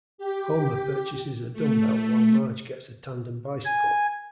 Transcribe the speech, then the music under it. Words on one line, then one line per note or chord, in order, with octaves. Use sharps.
Homer purchases a dumbbell while Marge gets a tandem bicycle.
G4
A3
G#5